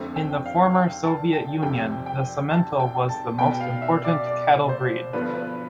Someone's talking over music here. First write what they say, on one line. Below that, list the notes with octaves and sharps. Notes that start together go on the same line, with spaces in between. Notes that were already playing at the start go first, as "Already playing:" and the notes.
In the former Soviet Union, the Simmental was the most important cattle breed.
Already playing: F2 D3 A3 C4
G5
F5
G5
A5
G5
F2 C3 G3 G5
G5
A5
G5
A5
B2 B3 G5
F5
E5
D5
D5
C5
G2 D3 F3 B3 B4
B4